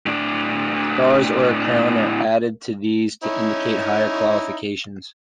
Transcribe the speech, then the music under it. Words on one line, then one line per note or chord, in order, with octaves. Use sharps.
Stars or a Crown are added to these to indicate higher qualifications.
A2 D4
C#4 D#4 E4